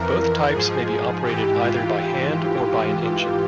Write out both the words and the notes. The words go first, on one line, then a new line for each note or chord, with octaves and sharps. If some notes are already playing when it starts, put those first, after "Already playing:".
Both types may be operated either by hand or by an engine.
Already playing: F2 E3 A#4
G#2 F3 G#4
G#2 E3 G4
F4